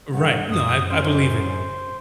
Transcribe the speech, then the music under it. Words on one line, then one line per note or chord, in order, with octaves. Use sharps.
Right, no, I b I believe it,
G2 A4 F#5
F#2 D#6
G6
C#4 C5